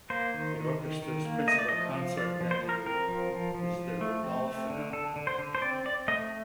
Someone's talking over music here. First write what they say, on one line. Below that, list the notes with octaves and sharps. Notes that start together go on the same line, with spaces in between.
The orchestra's principal concert venue is the Rudolfinum.
A#3 C5
D#3
D#3
D#3
D#3
A#3
A3 D#5
D5
F3 D#5
F3
F3 D5
F3
C5
F3
A#4
C4 A#4
F3
F3
F3
F3
A3
C4
A3
D3
D3 A4
D3
C5
D3
C5
C4 D5
C4 D5
A3 D#5